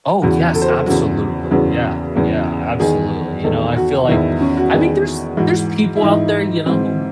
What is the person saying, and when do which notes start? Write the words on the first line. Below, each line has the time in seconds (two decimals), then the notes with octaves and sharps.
Oh, yes, absolutely. Yeah. Yeah, absolutely. You know, I feel like, I mean, there's there's people out there, you know, who
0.22 E2 C#3 E3 F#4
0.54 A4
0.62 C5
0.69 A4
0.86 E2 C#3 E3 F#4
1.51 E2 C#3 E3 F#4
2.16 E2 C#3 E3
2.80 E2 D#3 G#4
3.44 E2 D#3 A4
3.76 F#4
4.08 E2 D#3 E4
4.41 C#4
4.57 F#4
4.73 E2 D#3 G#4
5.37 G#2 E3 F#4
5.96 E4
6.02 G#2 E3 D#4
6.66 G#2 E3 C4